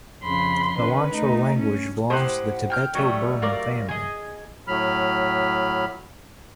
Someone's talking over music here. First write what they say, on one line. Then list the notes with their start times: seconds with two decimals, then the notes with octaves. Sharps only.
The Wancho language belongs to the Tibeto-Burman family.
0.24 F2 C#3 B5 C6
0.76 D#3 C#4 B4
1.14 A3 D#4
1.59 C#4
2.10 A2 G4 C5 F#5 D#6
2.70 G5 F6 G6
2.95 F#3 G3 A3
3.42 F4 A#4 D5
3.89 G#4 D#5
4.68 A2 F#3 B5 F6